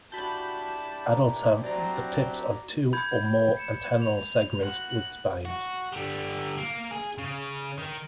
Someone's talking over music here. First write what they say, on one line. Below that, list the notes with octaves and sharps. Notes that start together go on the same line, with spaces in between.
Adults have the tips of two or more antennal segments with spines.
D4 E4 F#4 G4 A5 B5 G6
A#5
F#3 C4 F#4 D5 A#5
B5 G6 G#6
C#7 E7
F7
F#4 F#6
F#4
D3 G3
A#3
G#4
C#3
D#3